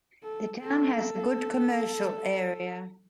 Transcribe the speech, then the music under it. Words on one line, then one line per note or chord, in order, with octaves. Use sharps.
The town has a good commercial area.
A4
A4